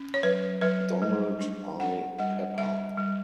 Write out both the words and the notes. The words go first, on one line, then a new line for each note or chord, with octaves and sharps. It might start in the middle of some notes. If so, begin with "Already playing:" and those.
Donald I. Pepper.
Already playing: C#4
C#5
F#3 B4
F#3 B4
G3
D4
D4 F#5
G3 F#5
G3 E5
G3